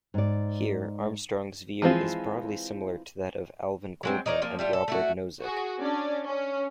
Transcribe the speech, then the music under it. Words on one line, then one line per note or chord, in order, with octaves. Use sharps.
Here, Armstrong's view is broadly similar to that of Alvin Goldman and Robert Nozick.
G#2 D5
E3 F3 G#3 C4 F4
F#3 G#3 C4
D#4 A#4 C#5 D5
F3 A#3
G3 A3 F4
A4
A3 E4 F#4
F#4 G#4
C#4 D4 D5
C#4